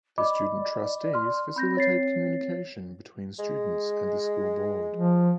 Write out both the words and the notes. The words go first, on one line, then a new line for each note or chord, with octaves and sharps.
The student trustees facilitate communication between students and the school board.
D5 D#5 B5 D6
C6 F6
C4 B5 G6 A#6
C#5 A6 C7
G#3
F3